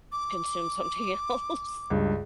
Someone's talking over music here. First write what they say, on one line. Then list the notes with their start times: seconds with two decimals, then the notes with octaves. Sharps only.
consume something else.
0.12 D6
1.90 C#2 G2